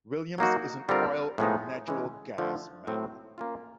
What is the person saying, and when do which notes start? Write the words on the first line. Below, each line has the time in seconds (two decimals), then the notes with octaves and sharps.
Williams is an oil and natural gas man.
0.38 F#3 A#3 D#4 F#4
0.89 D3 G3 C4 F4 A#4
1.38 A2 F3 G#3 B3 D#4
1.88 E3 G#3 C#4
2.38 D3 F3 A3
2.87 A2 F#3 A3 C4
3.38 A#3 C#4 F4